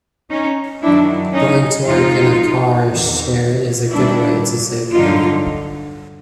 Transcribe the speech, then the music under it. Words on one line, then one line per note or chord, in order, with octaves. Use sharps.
Going to work in a car share is a good way to save money.
C#4 D#4
F#2 D#3 F#3 D4 E4
C#4 D#4
F2 C3 F3 G#3 D#4 F4
E2 C3 D#3
D#2 D#3 G3 D4 E4
G2 D3 F#3 D#4 F4